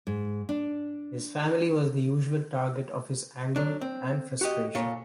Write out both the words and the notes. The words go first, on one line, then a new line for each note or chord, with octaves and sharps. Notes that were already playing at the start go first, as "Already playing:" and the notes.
His family was the usual target of his anger and frustration.
G#2
D4
F#3 D4
C4
F#4 G4 D#5
A#2 A4 C#5